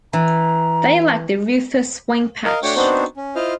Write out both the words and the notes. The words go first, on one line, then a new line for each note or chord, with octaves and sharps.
They lack the rufous wing patch.
E3 A#5
A#4 D#5 F5
A3 D4 F#4 C#5 G5 C#6
B3 C4 D4 D#4 F#4 C5
C#4
E4 F4 C5 D#5 F5 F6